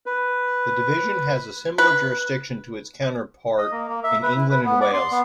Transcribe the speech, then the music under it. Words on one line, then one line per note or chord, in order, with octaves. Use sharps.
The Division has similar jurisdiction to its counterpart in England and Wales.
B4
B4
D#5
A#3
A#3
E5
B4
E4
B4
B3
D5
C6
B3